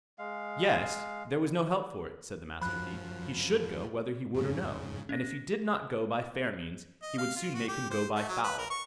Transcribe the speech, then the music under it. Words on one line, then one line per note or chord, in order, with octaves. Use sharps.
Yes, there was no help for it, said the Master Thief; he should go whether he would or no; and if he did not go by fair means, he would soon make him go by foul.
G#3 F5
F#2 F3 B5 F#6
F2 G#2 C#3
C#4 A#6
D#5
F5
F4
F#4
G4
C5
A3
F#3
B4
A#4
C#6